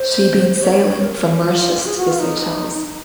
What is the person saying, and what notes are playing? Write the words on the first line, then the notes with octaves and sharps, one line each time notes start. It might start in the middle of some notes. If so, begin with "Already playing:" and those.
She been sailing from Mauritius to the Seychelles.
Already playing: C5
C#5
C#5
A#4
F4
G#4
F#4
F4
D#4